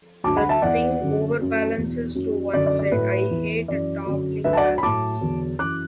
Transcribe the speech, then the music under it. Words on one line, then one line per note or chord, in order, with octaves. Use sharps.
The thing overbalances to one side — I hate a toppling balance.
D2 D3 F#3 A5 D6
F#5 B5
E5 A5
E2 E3 D5 F#5
F#2 D3 F#3
F#2 F#3
E2 B2 F#3
F#2 F#3
F#2 D3 F#3 D5
D5
D5
A2 F#3 B4
E2 E3
F#2 E3 D5
F#2 D3 F#3
D2 D3 F#3 B4 E5
A5
D5 F#5
B5
A2 F#3 A5 D6
E2 D3 F#3
F#2 E3 D6 F#6